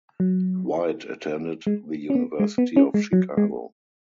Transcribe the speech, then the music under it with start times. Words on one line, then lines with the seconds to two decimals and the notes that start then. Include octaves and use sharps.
White attended the University of Chicago.
0.20 F#3
1.67 G#3
2.10 C#4
2.15 B3
2.40 G#3
2.58 B3
2.76 C#4
2.94 G#3
3.13 F#3
3.37 G#3